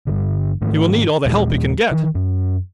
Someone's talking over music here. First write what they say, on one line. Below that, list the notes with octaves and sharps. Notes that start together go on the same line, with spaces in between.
He will need all the help he can get!
G1 G2 D3
G#2 D#3 A3
D#2 A#2 G#3
D#3 E3
F#2